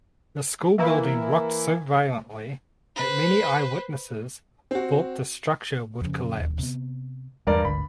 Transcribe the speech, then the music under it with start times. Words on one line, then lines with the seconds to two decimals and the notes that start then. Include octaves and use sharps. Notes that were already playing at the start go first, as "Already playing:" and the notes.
The school building rocked so violently that many eyewitnesses thought the structure would collapse.
0.78 E3 A#3 E4
2.96 B4 C5
4.71 C4 F#4
6.01 F2 C#3
6.39 E1 D#2
6.59 C3 B3
7.47 E2 G2 A#4 D5
7.65 G#1 D2 D3 B5